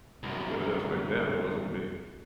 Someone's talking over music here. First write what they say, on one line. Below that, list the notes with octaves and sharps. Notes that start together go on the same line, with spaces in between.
Yeah, but that was my dad, that wasn't me.
C2 F#2